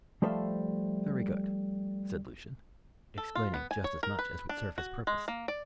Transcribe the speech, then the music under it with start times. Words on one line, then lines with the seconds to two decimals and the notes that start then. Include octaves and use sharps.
"Very good," said Lucian, explaining just as much as would serve his purpose.
0.22 F3 G3 A3 C5 E5 F5
3.18 A4
3.35 F4
3.54 B3
3.71 G#5
3.84 C#5
4.03 A#4
4.19 B4
4.49 D4
4.78 F#4
5.07 G#3
5.28 A#3
5.48 D5